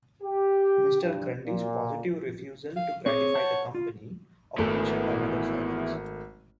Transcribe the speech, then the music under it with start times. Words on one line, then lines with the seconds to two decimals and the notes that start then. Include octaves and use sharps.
Mr. Grundy’s positive refusal to gratify the company occasioned another silence.
0.23 G4
1.01 G2
1.45 A#2
2.77 F5
3.06 C4 G#4 C#5 D6
3.35 F#5 A5 G6
3.75 F4
4.58 G#1 E2 E3 A3